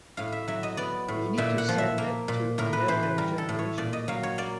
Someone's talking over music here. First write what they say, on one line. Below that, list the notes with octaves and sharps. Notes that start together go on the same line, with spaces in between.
We need to send it to an earlier generation.
A2 F5
E5
F#3 E5
D#5
B3 D5
A2
A#2 E5
F#5
F3
E5
A#3
A#2
A2 A#4
B4
E3 C5
B4
G3 A#4
A4
A2
C#5
A#2 D5
D#5
F#3 F5
C#5
A#3 D5